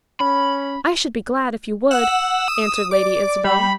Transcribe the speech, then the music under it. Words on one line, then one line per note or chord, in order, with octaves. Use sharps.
"I should be glad if you would," answered Lady Isabel.
C#4 B5
F#5 E6
D#6
D5 D6
G3 B5